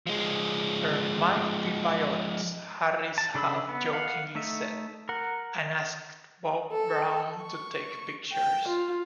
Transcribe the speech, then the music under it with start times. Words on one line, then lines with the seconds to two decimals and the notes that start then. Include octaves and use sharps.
"There might be violence," Harris half-jokingly said, and asked Bob Brown to take pictures.
0.07 F3 G#3
3.18 A5
3.34 C#3 D4 A4 B5 E6
3.69 B3
3.93 F5 F#5
4.35 A3 D#4 E5
5.09 A#4 F#5
6.72 A4
7.42 C#6
8.33 G5
8.68 F4